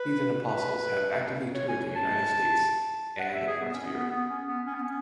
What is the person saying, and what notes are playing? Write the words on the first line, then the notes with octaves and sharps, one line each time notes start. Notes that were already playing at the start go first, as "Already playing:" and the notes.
Heathen Apostles have actively toured the United States and parts of Europe.
Already playing: B4
B4
C#5
G#5
A5
F#5
E5
G#4
B3
C#4
B3
B3
C#4
B3
C#4
B3
C#4